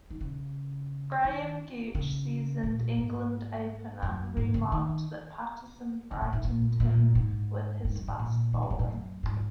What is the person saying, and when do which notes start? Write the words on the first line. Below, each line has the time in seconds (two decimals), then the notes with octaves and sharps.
Graham Gooch, seasoned England opener, remarked that Patterson frightened him with his fast bowling.
0.10 D#3
0.21 C#3
1.24 D#3
1.95 C#3
2.63 A#2
2.98 G#2
4.03 F#2
4.37 G#2
4.54 C#3
4.72 D#3
6.11 C#3
6.22 A#2
6.33 G#2
6.44 A#2
6.80 A#2
7.15 G#2
7.85 G#2
7.95 F#2
8.08 G#2
8.19 A#2
8.53 D#3
8.63 G#2
8.70 A#2
8.79 G#2
8.88 F#2
9.23 G#2